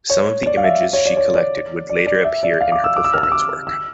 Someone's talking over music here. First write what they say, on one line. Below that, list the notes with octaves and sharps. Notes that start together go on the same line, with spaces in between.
Some of the images she collected would later appear in her performance work.
C#5
D5
F5
E5
C#5
D5
C#5
D5
D5
D5
E5
D5
F5
D6
E6
D6
E6
F6
E6
D6
E6